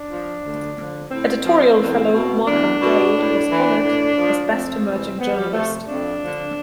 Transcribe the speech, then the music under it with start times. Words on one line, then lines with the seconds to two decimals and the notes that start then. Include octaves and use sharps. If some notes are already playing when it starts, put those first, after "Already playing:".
Editorial Fellow Malcolm Gay was honored as Best Emerging Journalist.
Already playing: D4
0.10 F3
0.44 D2
0.78 D3 F3
1.11 A2 C4
1.46 F3
1.80 E2
2.14 B2
2.48 E2 D4
2.82 B2
3.16 A2
3.50 E3
3.84 A2
4.17 F3
4.51 F2 C4
4.86 C3 E3
5.20 E2 B3
5.37 G3
5.53 C3 F3 A3
5.88 F2 D4
6.22 D3 F3